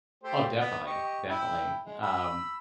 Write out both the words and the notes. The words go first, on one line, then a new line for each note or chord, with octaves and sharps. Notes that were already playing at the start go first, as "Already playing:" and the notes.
Oh, definitely, definitely. Y um,
A3 G4 C5
B3
G4 D#5 C#6
E4 G5
G#3
B5 E6